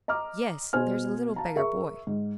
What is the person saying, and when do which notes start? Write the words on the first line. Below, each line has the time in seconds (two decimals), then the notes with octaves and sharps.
"Yes; there's a little beggar boy."
0.08 D#5 A#5 D6 F6
0.73 B2 G#4 C5 G#5 F6
1.36 F5 A5 A#5
1.56 G#4 A#4 E5 C#6
2.07 G#2